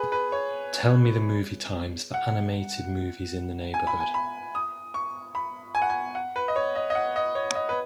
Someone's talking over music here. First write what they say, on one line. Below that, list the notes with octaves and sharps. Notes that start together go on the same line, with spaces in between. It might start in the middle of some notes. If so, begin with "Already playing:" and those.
Tell me the movie times for animated movies in the neighborhood.
Already playing: G#4 B4
B4
C#5
F#5
G#5
B5
G#5
B5
D#6
C#6
B5
G#5
F#5
G#5
F#5
B4
D#5
C#5
D#5
D#5
F#5
D#5
C#5
D#5
B4